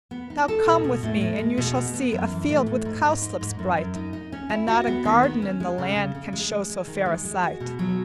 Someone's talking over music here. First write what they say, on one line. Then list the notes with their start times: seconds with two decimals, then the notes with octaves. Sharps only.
"Now come with me and you shall see A field with cowslips bright And not a garden in the land Can show so fair a sight."
0.11 B3
0.30 D#4
0.48 A4
0.66 B2
0.84 B2
1.03 A2
1.21 A2
1.39 G#3
1.58 B2
1.76 B3
1.94 B3
2.12 F#2
2.30 E3
2.49 A2
2.67 A2
2.85 G#2
3.04 G#2
3.22 D#4
3.41 G#2
3.59 F#2
3.77 F#2
3.95 D#4
4.13 D#4
4.32 C#4
4.50 E4
4.68 F#4
4.87 B3
5.05 D#3
5.23 B3
5.42 C#4
5.60 G#3
5.78 C#3
5.96 C#3
6.15 C#3
6.33 G#3
6.51 G#3
6.70 G#3
6.87 D#3
7.06 G#3
7.25 G#3
7.43 F#4
7.60 B2
7.79 F#3